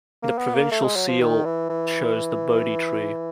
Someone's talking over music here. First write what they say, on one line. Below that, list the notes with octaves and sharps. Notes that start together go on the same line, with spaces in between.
The provincial seal shows the Bodhi tree.
A#3
B3
A#3
A3
G#3
F#3
F3
D#3
E3
E3